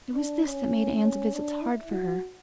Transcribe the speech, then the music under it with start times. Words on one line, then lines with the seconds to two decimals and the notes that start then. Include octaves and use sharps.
It was this that made Anne's visits hard for her.
0.14 D4
0.44 C#4
1.03 C#4
1.33 D4
1.62 E4
1.91 F#4